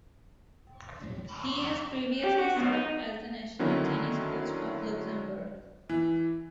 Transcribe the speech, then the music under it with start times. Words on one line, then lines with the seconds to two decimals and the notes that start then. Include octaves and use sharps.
He has previously served as the national tennis coach of Luxembourg.
2.24 G4
2.38 F#4
2.56 F#2 B2
2.72 D#4
3.59 D3 D#3 F#3 C4 C#4 E4
5.89 E3